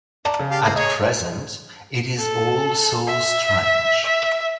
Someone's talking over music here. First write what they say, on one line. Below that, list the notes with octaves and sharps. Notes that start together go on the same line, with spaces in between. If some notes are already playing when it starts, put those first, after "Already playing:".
At present it is all so strange.
D5 A5 A#5
C#3
G4 F5 A5
A#3
G#4 C#5 D#5 A#5
A4
E5
E5